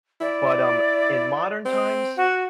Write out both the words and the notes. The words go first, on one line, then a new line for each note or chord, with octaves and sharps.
But, um, in modern times,
E4 D5
C4
F#4